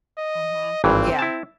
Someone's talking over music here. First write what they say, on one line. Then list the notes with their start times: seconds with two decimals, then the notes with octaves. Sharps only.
Mhm, yeah.
0.17 D#5
0.84 G#1 G2 E3 C4
1.19 E4 A5